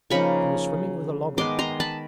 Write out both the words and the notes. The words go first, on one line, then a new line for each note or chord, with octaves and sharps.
'He was swimming with a log on his back.
C#3 F3 A#3 D#4 B5 C#6
D#3 G#3 B3 C6 D6
A#5 C6
A5 B5